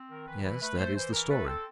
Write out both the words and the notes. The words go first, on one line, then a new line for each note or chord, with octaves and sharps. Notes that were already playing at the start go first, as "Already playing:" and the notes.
"Yes, that is the story."
Already playing: C4
D#3 A#4
E3 B4
E3 B4
A3 B4
A3 C5
E3 C5
E3 A#4
A3 B4
C4 A4